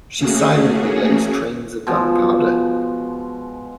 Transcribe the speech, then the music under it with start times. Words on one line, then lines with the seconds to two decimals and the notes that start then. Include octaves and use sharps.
She silently lays trains of gunpowder.
0.18 A3 A#3 C#4 F#4 G#4
1.87 B2 F3 G#3